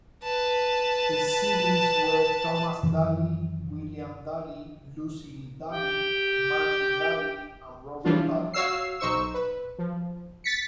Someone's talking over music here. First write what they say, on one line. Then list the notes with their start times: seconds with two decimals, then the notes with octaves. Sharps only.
His siblings were Thomas Daly, William Daly, Lucy Daly, Maggie Daly, and Robert Daly.
0.24 B4 A5
2.83 F#2 D#3 E3
5.72 G4 G5
8.05 E3 F3 G3 D4 F4
8.54 F#4 C#5 F5 E6 C7
8.99 B1 D#4 C5 C#6 E6 E7
9.34 B4
9.79 F3
10.44 A6 B6 C#7